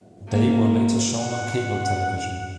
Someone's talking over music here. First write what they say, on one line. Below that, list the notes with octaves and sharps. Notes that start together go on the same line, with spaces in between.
They were later shown on cable television.
A#3
F#5